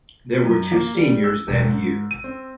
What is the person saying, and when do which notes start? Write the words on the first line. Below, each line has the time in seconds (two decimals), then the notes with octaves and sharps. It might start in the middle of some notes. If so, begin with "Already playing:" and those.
There were two seniors that year.
0.44 F#2
0.72 A#3
0.95 G3
1.24 E6
1.47 E1
1.64 G#2
2.11 D#7
2.24 C4